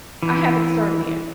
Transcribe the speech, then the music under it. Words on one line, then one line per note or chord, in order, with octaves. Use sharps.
I haven't started yet.
E3